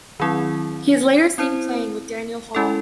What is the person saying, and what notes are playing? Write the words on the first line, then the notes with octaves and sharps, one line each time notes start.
He is later seen playing with Daniel Hall.
D#3 F#3 C4 E4 G#4
C4 E4 C5
G#3 C#4 E4 A4